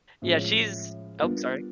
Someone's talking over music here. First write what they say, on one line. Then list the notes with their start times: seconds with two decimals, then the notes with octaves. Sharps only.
Yeah, she's ope, sorry.
0.22 A2 F3 G#3 C#4
1.19 G3 B3 D4 F4 A#4